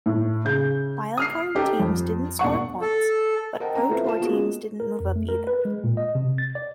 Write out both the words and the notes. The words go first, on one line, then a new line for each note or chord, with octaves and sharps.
Wildcard teams didn't score points, but ProTour teams didn't move up either.
A2
C#3 G6
D#6 F6 C7
D#4 G4 A4
F2
E1 D4 F#5 C#6
A4
A#4 C5 D#5 F#5 G5 A5
C4 C5 A#5
A3 E4 F4 B4 C5 E5
F4 A5 E7
A#3 B3 C#4 F4 F#4 G#4
G#3
A#4
F2
A3
A#4
B4
G#3
A#2
D#5
C3
A6
D5